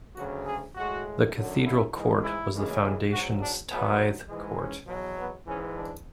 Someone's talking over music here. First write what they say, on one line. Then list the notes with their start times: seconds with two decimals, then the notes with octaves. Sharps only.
The Cathedral Court was the Foundation's tithe court.
0.16 D2 C#3 F#3 F#4
0.46 G#4
0.75 A2 G#3 F#4
1.34 F#2 D3 F#3
1.64 E4
1.93 G#2 E3 G#3
2.22 E4
2.52 F#2 C#3 E3 G#3
3.11 G#2 F#3 F#4
3.40 D4
3.70 A2 F#3 B3
4.28 G#2 E3 G#3
4.58 C#4
4.88 E2 B2 F#3
5.18 B3
5.46 G#2 E3 G#3 C#4
5.76 D4